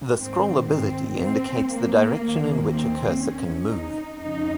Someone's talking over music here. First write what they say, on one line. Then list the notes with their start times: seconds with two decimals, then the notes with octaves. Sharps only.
The scrollability indicates the direction in which a cursor can move.
0.19 G#2 D#3 C4
0.69 C4
1.19 C4
1.69 A#3
2.19 D#2 D#3
2.69 C4
3.19 C#4
3.69 D#4
4.19 F2 C#3 D#4